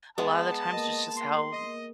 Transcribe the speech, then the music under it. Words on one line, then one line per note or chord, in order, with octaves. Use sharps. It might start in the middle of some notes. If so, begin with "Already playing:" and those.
a lot of the times, that's just how,
G#3 B3 A5 C6
A#3 A#4 D#5
C6
D#5